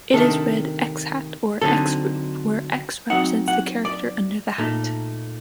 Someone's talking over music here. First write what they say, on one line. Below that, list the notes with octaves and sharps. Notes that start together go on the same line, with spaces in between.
It is read "x-hat" or "x-roof", where "x" represents the character under the hat.
C3 D#3 A3 D4 A4
D3 F#3 C4 D#4 A4
F#3 C4 D#4 F#5
F#5
D5
A#2 A3 D#4